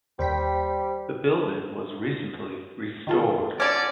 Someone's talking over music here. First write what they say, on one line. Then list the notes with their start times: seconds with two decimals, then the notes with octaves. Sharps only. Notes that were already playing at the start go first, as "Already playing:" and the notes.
The building was recently restored.
0.19 D#2 G3 C5 G5 B6
3.07 D#3 F4 A4
3.60 D3 C#4 D5 D6